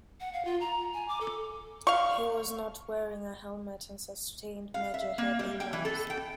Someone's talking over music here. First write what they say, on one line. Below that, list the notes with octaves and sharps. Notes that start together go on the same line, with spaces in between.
He was not wearing a helmet and sustained major head injuries.
F#5
F5
F4
A#5
G#5
D6
A4
F5 C#6
F5
E5
A#3
G3
G5
E3
A4
G5